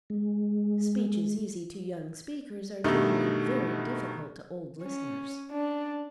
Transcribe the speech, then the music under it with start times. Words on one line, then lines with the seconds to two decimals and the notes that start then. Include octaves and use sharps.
Speeches easy to young speakers are generally very difficult to old listeners.
0.10 G#3
2.84 G2 B2 D#3 G3 A3 D#4
4.83 C#4
5.51 D4